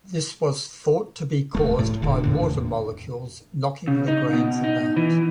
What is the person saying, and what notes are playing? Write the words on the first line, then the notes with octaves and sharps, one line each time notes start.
This was thought to be caused by water molecules knocking the grains about.
D#1 C#2 A3
A2
E1 A#2 D3
E2 A2 D3
C#3
D#4
B2
D#4
E3